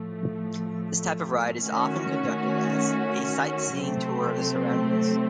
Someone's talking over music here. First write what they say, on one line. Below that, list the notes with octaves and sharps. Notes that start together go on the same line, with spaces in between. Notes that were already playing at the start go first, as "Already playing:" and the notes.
This type of ride is often conducted as a sightseeing tour of the surroundings.
Already playing: A2 F3 A3
D#3 A3 C#4 F#4
C3 F#3 A3 C4